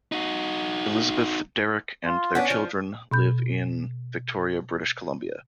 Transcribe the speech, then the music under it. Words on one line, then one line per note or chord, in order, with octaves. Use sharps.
Elizabeth, Deryk and their children live in Victoria, British Columbia.
D#4 F#4
F4
B3 C#4 D4
F3
B2 B5 G6